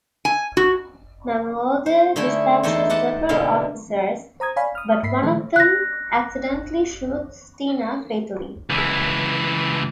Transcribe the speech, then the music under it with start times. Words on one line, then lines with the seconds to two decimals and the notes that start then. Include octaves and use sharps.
Mamuwalde dispatches several officers, but one of them accidentally shoots Tina fatally.
0.25 G#5
0.57 F#4
1.86 C5
2.16 D3 A3 E4 G#4
2.63 E2 D#4 E4 A4 C5 D#5
2.90 G4 D#5 F#5 A5
3.29 B2 D3 G#3 E4 F5
4.40 C5 A#5 D#6 G#6
4.56 C#5 D5 F5 G#5 B5
4.75 D#6 F6
5.03 G#2 A#3 E5 B5 B6 C7
5.23 A#2 D#3 F3 G#3 A3 A4
5.56 F#6 A#6
8.70 C#2 E3